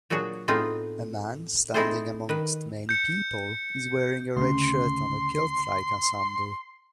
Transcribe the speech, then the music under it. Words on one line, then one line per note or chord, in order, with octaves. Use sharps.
A man, standing amongst many people, is wearing a red shirt and a kiltlike ensemble.
A#2 F#3 D4 F#4 G#4
A2 B3 C4 D#4 F4 G#4
C4 D#4 E4 G#4 A4 C5
D#3 B4
G6 C#7
D2 C#3 C6